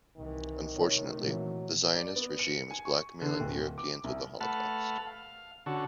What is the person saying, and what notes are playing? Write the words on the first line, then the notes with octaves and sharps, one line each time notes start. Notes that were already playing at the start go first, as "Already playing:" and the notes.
Unfortunately, the Zionist regime is blackmailing the Europeans with the Holocaust.
C2 D#3 E3
C3 A3 C#5
A#2 E3 F#3
D5
B3
C#7
G#5
C#6
D3
D1
D6
C2
A3 B4 F#5 A5 F6
F5
D3 C#4 F#4 A4